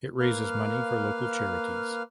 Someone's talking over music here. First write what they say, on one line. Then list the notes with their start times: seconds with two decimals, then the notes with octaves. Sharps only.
It raises money for local charities.
0.20 A#3 B4 F5 F6